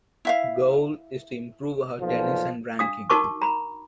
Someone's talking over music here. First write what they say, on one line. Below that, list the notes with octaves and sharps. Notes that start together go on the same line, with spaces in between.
Goal is to improve her tennis and ranking.
E4 E5 F5
B1 A#2 F3
D4 F5 D#6
D#4 F#4 A#4 A5 C#6 D6
A#5 B5